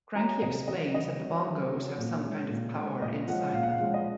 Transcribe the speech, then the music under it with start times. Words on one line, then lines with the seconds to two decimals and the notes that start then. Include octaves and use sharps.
Cranky explains that the bongos have some kind of power inside them.
0.15 F#3 C#4 A#5
0.42 C3 D#5
0.67 F#3 C#4 D#5
0.94 D#3 D#5
1.20 F#3 C#4
1.46 D#3
1.72 F#3 C#4
1.98 A#2
2.24 G#3 C#4
2.49 A#2
2.75 G#3 C#4
3.02 A#2 D#5
3.27 F3 G#3 C#4 F#5
3.53 A#2 F5
3.63 F#5
3.71 F5
3.79 F3 G#3 C#4
3.94 D#5